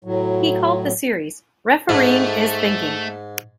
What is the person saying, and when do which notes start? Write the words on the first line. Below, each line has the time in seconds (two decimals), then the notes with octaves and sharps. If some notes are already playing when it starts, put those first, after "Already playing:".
He called the series, Refereeing is thinking.
0.04 A2 F#3
1.89 G#2 A3